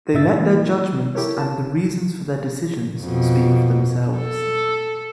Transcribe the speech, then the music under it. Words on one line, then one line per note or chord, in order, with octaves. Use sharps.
They let their judgments and the reasons for their decisions speak for themselves.
A#2 D#4 E5 E6 A6
E3 G#3 A#3 E4
E4 G4 A4 A#4 C#5
A5
F2 B2
A4